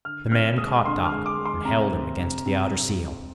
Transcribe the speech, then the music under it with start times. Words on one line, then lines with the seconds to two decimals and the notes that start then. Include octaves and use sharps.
The man caught Doc and held him against the outer seal.
0.05 D3 F6
0.32 C4 F6
0.58 G#3 D#6
0.85 D3 C6
1.05 F6
1.12 G#3
1.26 D6
1.38 G#3
1.46 C6
1.65 C3 A#5
1.92 C4
2.19 C3
2.46 C3
2.72 C3
2.99 C3